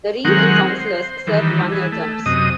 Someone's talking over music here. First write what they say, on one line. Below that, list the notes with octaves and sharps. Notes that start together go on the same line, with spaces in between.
The reeve and councillors served one-year terms.
D#3 F#3 G#3 C4 A#4 F#5
C5
D#3 E3 G3
E3 G#4
A3
F#2 C3 D#5 D#6